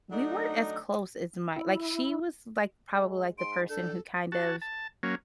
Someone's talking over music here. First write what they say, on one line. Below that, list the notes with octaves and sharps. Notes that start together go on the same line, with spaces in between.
we weren't as close as my like she was, like, probably like the person who kind of
F#3 A3 D4 D#4
E4
G#3
G#2 C6 D7
D4 A4 G6
F#4 A5
A5
F#3 A#3 C#4